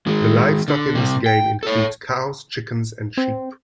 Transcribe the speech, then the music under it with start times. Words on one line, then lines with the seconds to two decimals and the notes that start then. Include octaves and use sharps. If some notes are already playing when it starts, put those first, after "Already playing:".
The livestock in this game includes cows, chickens, and sheep.
0.07 D#3 G#3
0.68 D3
0.95 C3 G3
1.26 G5
1.63 A4 C#5
3.17 C4